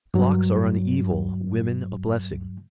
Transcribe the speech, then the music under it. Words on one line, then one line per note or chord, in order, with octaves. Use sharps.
Clocks are an evil, women a blessing.
G2 F#3